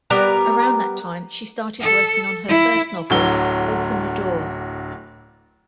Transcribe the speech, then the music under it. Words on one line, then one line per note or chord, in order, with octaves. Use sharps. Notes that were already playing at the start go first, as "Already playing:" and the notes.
Around that time she started working on her first novel Open the Door!
G3 B3 A#4 A#5
A4
E4
D1 D3 F#3 G7